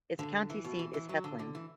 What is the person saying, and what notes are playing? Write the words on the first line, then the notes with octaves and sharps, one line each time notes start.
Its county seat is Heflin.
D3
E3
B2
E3
E3
F#3
D3
D3
E3